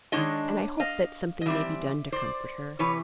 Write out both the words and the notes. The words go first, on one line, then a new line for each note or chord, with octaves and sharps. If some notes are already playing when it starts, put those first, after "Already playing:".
And I hope that something may be done to comfort her.
D#3 G#3 B3 D4 F4 C#5 D#5
D#5 F5
D#5
E3 G3 C4 D5 E5
C5 D5
C3 E3 B4 C#5